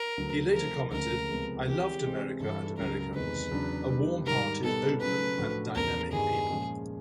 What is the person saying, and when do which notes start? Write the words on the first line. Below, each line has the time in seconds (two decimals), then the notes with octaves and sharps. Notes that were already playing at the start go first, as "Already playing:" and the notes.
He later commented: I loved America and Americans, a warm-hearted, open and dynamic people.
Already playing: A#4
0.17 D2 D3 F#3
0.54 C3 F3 A3 C4 A#4
0.91 D2 C#3 F3 G#3 A#4
1.29 C#2 C3 F3 G#3 B3
1.66 E3 G#3 C4 G4
2.04 C3 E3 G#3 C4
2.40 G2 E3 G3 A4
2.77 C#2 C#3 F#3 A#4
3.15 E2 C3 D#3 G#3 B4
3.51 E2 C#3 F#3 B3 D4
3.89 D#3 G3 B3 D4
4.26 G#2 D#3 G3 A#4
4.63 B2 G3 B3 D#4 A4
5.00 C#3 F#3 A3 C#4 B4
5.37 A2 F3 A3 D4 F#4
5.75 E2 C#3 F3 A#4
6.12 G2 D#3 G3 B3 D#4 G#4
6.49 A#2 F3 G#3 C#4